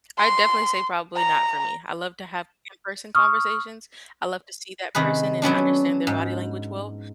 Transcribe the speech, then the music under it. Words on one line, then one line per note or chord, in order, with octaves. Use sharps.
I'd definitely say, probably not for me. I love to have in-person conversations, I love to see that person and understand their body language well.
C6
A#5
C#6 D#6 F6
C3 D#3 G#4 B4
F#3 B3 C#4 D4
G#2